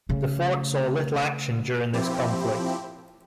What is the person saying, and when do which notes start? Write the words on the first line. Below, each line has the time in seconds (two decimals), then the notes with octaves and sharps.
The fort saw little action during this conflict.
0.09 C#3 A3
1.93 F3 C4 E4 G4